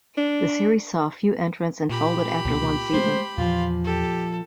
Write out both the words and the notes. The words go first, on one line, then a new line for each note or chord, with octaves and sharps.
The series saw few entrants and folded after one season.
D4
A#2 G4 B5
C#2 B2 A#3
G#3 A3 C5
E2 A#2 F3 F4
G4 A4